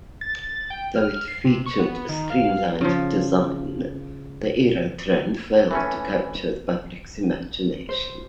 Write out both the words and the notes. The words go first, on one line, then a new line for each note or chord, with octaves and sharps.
Though it featured a streamlined design, the "Aerotrain" failed to capture the public's imagination.
A6
G5
F6
C7
C3
C#6
B3
D#3
F5
C#3 F3
E3 A3 C#4
C5